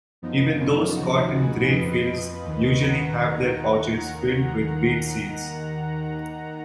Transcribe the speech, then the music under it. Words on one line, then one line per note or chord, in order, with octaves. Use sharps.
Even those caught in grain fields usually have their pouches filled with weed seeds.
F#2 F3 B3 D#4
C#4 F4
D#2 C#3 F3 D#4 F#4
G#4 B4
F2 F3 B4 D#5
D#2 D#3
F#5 A#5
D#2 D#3